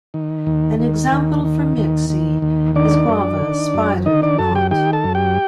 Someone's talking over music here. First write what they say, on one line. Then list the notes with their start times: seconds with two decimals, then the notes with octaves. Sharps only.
An example from Mixe is "guava", "spider", "knot".
0.14 D#3
0.47 D#2
0.80 D#3
1.12 D#2
1.45 D#3
1.78 D#2
2.10 D#3
2.42 D#2
2.75 D#3 D4 D5
3.08 F#2
3.41 D#3
3.74 F#2
4.06 D#3 D#4 D#5
4.22 D4 D5
4.38 F#2 A4 A5
4.55 G4 G5
4.71 D#3 G4 G5
4.93 A4 A5
5.04 F#2
5.15 G4 G5